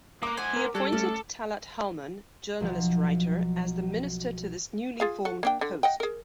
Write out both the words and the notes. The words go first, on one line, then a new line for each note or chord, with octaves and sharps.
He appointed Talat Halman, journalist-writer, as the minister to this newly formed post.
A#3 C5 F#5 D6
C5 F#5 G#5
A#4
G3 F#4 G#4 A4 D5
A3 C#4 D4 D5
B1 F3 F4
F4 G#4 F5
F#4 A4
A#3 D4 G5
D3
D#5 F#5 G5
G#4 A#4